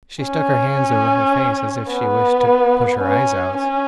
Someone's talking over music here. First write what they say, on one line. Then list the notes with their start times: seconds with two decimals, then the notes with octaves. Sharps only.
She stuck her hands over her face as if she wished to push her eyes out.
0.25 C#4
1.92 B3
3.02 C#4
3.58 C#4